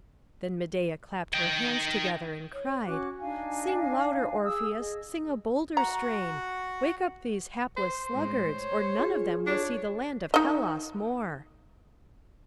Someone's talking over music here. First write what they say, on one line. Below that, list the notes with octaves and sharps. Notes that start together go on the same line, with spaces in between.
Then Medeia clapped her hands together, and cried, "Sing louder, Orpheus, sing a bolder strain; wake up these hapless sluggards, or none of them will see the land of Hellas more."
D#4 G5
C#5
C#4 F#4 D6 F#6
D4 D#4 F5 G#5
G#4 D#6 E6
G#4 D#5
F#4 F#5 A#5
C5
A2 G#3
C#5
F4 G#4
D4 C#5
D#4 D#5